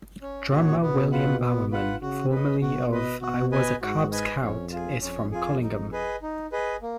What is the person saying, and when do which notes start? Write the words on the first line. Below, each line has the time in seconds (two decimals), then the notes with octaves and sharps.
Drummer William Bowerman, formerly of 'I Was A Cub Scout' is from Collingham.
0.22 C#4
0.51 A#2 F#4 C#5
0.81 B2 B3
1.12 F4 B4 F#5
1.41 B3
1.72 F4 B4 F#5
2.02 C#3 F#4
2.31 C#3 B4 D#5
2.62 B2 F#4
2.92 B4 D#5
3.21 B2 F#4
3.52 B4 D#5 G#5
3.82 G#2 F#4
4.12 B4 D#5 G#5
4.41 F2 C#4
4.72 F4 G#4
5.01 F2 C#4
5.31 F4 G#4
5.62 D#4
5.92 G#4 B4 D#5
6.22 D#4
6.52 G#4 B4 D#5
6.82 A#3